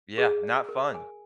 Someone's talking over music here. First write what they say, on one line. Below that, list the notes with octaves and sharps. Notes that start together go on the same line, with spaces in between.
Yeah, not fun.
G#4
D5
A#4
G#5